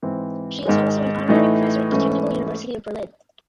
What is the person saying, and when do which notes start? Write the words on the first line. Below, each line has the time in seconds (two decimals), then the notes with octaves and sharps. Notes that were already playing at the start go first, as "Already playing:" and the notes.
She is also an honorary professor at the Technical University of Berlin.
0.02 G#2 E3 C4
0.65 G#2 D#3 G#3
1.29 A2 E3 A3 D#4
1.92 G#2 E3 A3 C#4